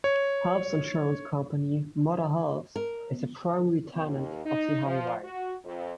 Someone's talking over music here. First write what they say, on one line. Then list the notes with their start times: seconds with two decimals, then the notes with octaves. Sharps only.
Health insurance company Moda Health is the primary tenant of the high-rise.
0.04 C#5
2.76 A#4
3.96 D#2
4.45 D#4
4.86 F3
5.23 F#4
5.65 F2